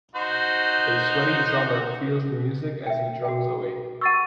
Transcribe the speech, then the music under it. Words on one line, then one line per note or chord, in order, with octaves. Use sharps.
A sweaty drummer feels the music as he drums away.
D#4 F#4 C5
E5 G5
F#4 G5
F#5 C#6 E6 A6 D#7